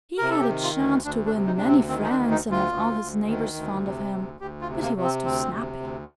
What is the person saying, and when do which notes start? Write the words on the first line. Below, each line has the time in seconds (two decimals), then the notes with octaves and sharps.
He had a chance to win many friends and have all his neighbors fond of him, but he was too snappy.
0.18 C3 A#4
0.30 A4
0.41 G4
0.48 D#3
0.63 F4
0.77 D2
1.04 D2 D4
1.26 D4
1.33 C3
1.46 D#4
1.58 D2 D4
1.68 C4
1.88 D#3 C4
2.03 D#4
2.09 D4
2.16 D2
2.31 D#4
2.44 D2
2.51 F4
2.72 D2
3.01 D2
3.28 D#3
3.56 D2
3.84 C3
4.13 D2
4.40 D2 G4
4.61 F4
4.69 C3
4.82 A#3
4.97 C3
5.03 C4
5.24 D2 C4
5.52 C3
5.80 D2